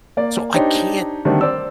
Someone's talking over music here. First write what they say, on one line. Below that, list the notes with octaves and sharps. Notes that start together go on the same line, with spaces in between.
so I can't
A#3 D5
D4 D#4 G4 C5 C#5 G5
D3 D#3 G3 A3 C4 D4
C5 D5 E6